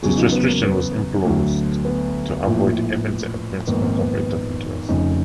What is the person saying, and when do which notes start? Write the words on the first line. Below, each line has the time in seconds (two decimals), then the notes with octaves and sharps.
This restriction was imposed to avoid even the appearance of a conflict of interest.
0.02 E2 C#3 F#3 F#4 G#4
0.17 D#4 F4
0.32 B3
0.48 A#3
0.64 B3
1.25 D2 D3 F#3
1.85 B3
2.45 A#1 A2 F3
3.67 A#1 G#2 D#3 B3
3.82 A#3 C4
3.97 B3
4.14 B3
4.88 F1 F2 C#3 C#4 D#4